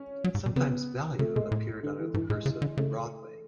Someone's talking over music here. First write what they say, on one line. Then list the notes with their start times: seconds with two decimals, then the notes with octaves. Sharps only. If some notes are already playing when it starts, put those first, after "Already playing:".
Sometimes "Value" appeared under the cursive "Broadway".
Already playing: C#4
0.24 F#3
0.35 G#2
0.46 B2
0.56 C#3 B3
1.19 C#3 A3
1.36 B2 G#3
1.51 A2
1.83 D3
1.98 E3
2.14 G#2 E3
2.30 A2 G#3
2.46 C#3
2.62 D3
2.77 C#3 A3